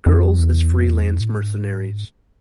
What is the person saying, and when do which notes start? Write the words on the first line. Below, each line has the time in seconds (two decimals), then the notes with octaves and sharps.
Girls as freelance mercenaries.
0.06 F2
0.39 E2
0.71 F2
0.87 E2
1.04 F2
1.20 A2
1.36 G#2